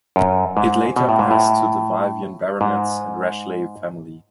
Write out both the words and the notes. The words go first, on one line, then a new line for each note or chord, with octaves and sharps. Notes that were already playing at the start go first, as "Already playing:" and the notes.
It later passed to the Vyvyan baronets and Rashleigh family.
F#2
G#2
B2
A2
G#2
A2
G#2